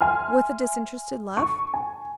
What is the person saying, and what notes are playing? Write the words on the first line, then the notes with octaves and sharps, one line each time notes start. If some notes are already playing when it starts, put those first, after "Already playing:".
"With a disinterested love?"
E5 G#5 C6 F6
C#6
G#5